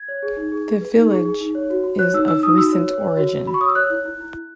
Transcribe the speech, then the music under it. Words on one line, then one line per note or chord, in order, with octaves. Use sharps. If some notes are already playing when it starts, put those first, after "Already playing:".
The village is of recent origin.
Already playing: G#6
C#5
G#4
D#4
G#4
G#4
B4
D#4
G#4
G#4
D#4
C#5
F#4
F#4
C#5 F#6
D#4 E6
D#4 E6
D#4 D#6
F#4 E6
C#5
C#5
C#5
F#4
F#4
F#4 B5
C#6
C#5 D#6
E6
C#5 F#6
E4
E4
E4
E4